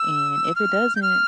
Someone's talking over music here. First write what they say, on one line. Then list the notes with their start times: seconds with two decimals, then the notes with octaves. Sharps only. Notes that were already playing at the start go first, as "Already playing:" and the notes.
And if it doesn't,
Already playing: E6
0.56 F6
0.96 G6
1.02 F6